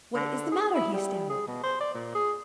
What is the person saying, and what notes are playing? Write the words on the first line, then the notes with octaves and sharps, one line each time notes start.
"What is the matter?" he stammered.
D3
G#4
E4
G3
G#4
B2
C5
D5
A#2
G#4